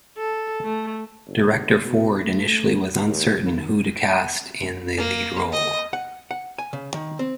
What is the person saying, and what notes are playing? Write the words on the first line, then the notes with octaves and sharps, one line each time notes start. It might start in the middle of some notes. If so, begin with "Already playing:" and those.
Director Ford initially was uncertain who to cast in the lead role.
A4
A3
G1
B2
A3
D#2
D#3
A#3
D#5
F#5
F#5
G#5
C#3
D#3
C4